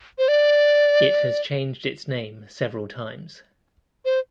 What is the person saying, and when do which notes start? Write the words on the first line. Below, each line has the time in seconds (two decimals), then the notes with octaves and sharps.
It has changed its name several times.
0.18 C5
0.28 D5
4.05 C5